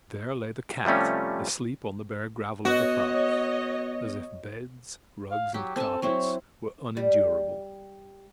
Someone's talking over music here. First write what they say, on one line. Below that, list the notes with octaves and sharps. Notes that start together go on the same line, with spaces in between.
There lay the cat asleep on the bare gravel of the path, as if beds, rugs, and carpets were unendurable.
C3 F3 G3 A3 C#4
B3 F#4 C#5 D#5
F5
F#3 G4
C4 A4 G#5 A5
F#3 C4 E4 C#5
G3